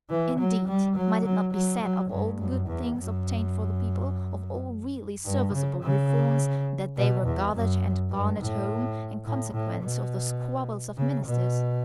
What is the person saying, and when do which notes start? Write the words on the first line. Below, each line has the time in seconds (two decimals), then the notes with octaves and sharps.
Indeed, might it not be said of all the good things obtained for the people, of all really serviceable reforms, that they were gathered and garnered home in consequence of the squabbles of Ministers?
0.10 E3
0.39 F#3
0.67 G3
0.96 F#3
1.25 F#3
1.53 F#3
1.81 F#3
2.10 G2
2.39 F#2
2.67 E2
2.97 F#2
5.25 G2
5.54 C#3
5.83 C#3
6.97 B2
7.25 E2
7.54 F#2
8.10 G2
8.40 A2
9.26 A2
9.53 A2
9.82 B2
10.97 C#3
11.26 B2